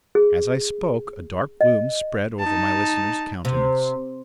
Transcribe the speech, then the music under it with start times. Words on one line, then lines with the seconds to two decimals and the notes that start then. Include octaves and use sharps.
As I spoke, a dark gloom spread over my listener's countenance.
0.15 G#4
1.61 D#5
2.40 D#4 A5
3.45 C3